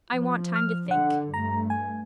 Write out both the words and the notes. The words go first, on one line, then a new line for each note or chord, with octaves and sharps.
"I want time to think."
F3
F6
D3 F#5
G2 A3 A#5
G#5